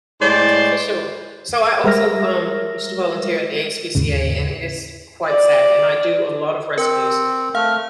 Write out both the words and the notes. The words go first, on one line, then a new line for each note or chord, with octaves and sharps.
For sure. So, I also, um, used to volunteer at the ASPCA, and it is quite sad, and I do a lot of rescues.
A2 G#3 C5 D5 C6
G3 G#3 A#4 E5 F6 A#6
D#2 G#2 C#3
D5
C4 A#4
A3 F5 F6